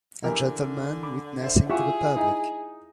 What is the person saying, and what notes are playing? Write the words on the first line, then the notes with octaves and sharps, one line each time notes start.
A gentleman witnessing to the public.
D3 E3 G4 A#4
B5 D6
C5 E5
E4 F4 G4 G#4 E5 F#5 C#6
D#4 E4 G#5